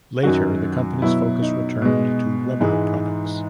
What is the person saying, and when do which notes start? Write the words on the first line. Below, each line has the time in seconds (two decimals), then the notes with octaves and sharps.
Later, the company's focus returned to rubber products.
0.23 F#2 D#3 F#3 F#4
1.02 B2 F#3 E4
1.42 D#4
1.82 B2 G#3
2.60 G#2 E3 G#3